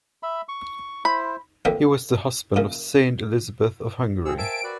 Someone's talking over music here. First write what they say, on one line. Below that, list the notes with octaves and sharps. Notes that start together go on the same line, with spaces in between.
He was the husband of Saint Elizabeth of Hungary.
E5 B5
C#6
E4 C5 B5
F2 D3 A#3 B3 E5 G5
F#2 A#2 C#3
G#4 C5 F5 G5 E6
A#4 E5 G#5 A5 E6 D7
F#4 B4 D5